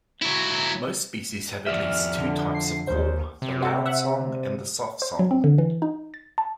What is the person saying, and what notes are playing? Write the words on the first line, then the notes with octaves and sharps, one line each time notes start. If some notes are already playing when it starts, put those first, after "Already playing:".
Most species have at least two types of call, the "loudsong" and the "softsong".
F#3 E4
F2 D5 E5 F6
D3
C7
D#2 C5
C3
F#4 A4
E5 F#5
C5
F#3
C4
D3
E3
D#4
A6
A5